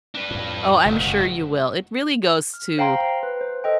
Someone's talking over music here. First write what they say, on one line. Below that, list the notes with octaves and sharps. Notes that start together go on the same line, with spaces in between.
Oh, I'm sure you will. It really goes to,
D4 B4
F2 A2
F#1 B1 C3
G#2 B2
F6
C5 F5 G5 A#5 C6
B4
C5
A4 D#5 G5